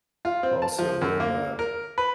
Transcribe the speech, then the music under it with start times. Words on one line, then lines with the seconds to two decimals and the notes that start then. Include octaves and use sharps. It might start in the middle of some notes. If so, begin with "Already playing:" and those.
Also, they're, uh
0.25 F4
0.43 C4
0.62 A5
0.78 F3
1.01 F#2
1.20 A#3
1.59 A#4
1.98 B4